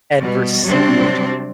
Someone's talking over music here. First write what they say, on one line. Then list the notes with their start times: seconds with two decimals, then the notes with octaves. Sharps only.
and received
0.18 B2 G3
0.64 C3 F#3 G3 C4 D4